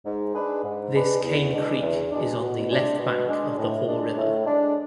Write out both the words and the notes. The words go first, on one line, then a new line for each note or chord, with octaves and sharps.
This Cane Creek is on the left bank of the Haw River.
G#2
G#3 D4 G#4 B4
G#2
G#3 D4 G#4 B4
E2
B2 G#3 D4
E2
B2 G#3 D4
B2
G#3 D4
B2
G#3 D4
A2
G#3 D4
A2
G#3 D4